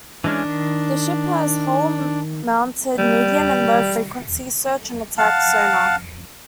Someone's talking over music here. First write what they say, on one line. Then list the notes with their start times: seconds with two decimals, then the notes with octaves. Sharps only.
The ship has hull-mounted medium- and low-frequency search and attack sonar.
0.24 E3 G#3 C#4 D4
0.45 D#3
2.98 G3
5.18 F5 F#5 A5